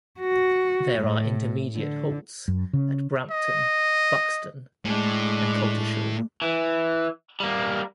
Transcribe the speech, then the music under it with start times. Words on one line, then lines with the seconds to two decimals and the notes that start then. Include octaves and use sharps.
There are intermediate halts at Brampton, Buxton and Coltishall.
0.20 F#4
0.99 A2
1.76 D3
2.48 F#2
2.73 C#3
3.30 D#5
4.85 A2 G#3 D4
6.42 E3
7.40 G3 A#3